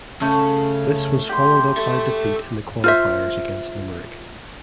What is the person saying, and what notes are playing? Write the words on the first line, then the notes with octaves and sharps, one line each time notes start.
This was followed up by defeat in the qualifiers against Limerick.
C#3 A3
G4 C6
A4 E5
F4 C5 E5 F6